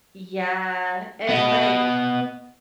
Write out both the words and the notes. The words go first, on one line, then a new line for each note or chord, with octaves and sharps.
Yeah, and like,
B3 D#5